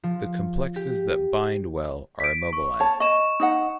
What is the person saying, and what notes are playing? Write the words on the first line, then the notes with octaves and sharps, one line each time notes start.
The complexes that bind well are immobilized.
F3
G4
B6 D7
C#6
C#5 A5
D#5 C#6 E7
D#4 D#5 F#5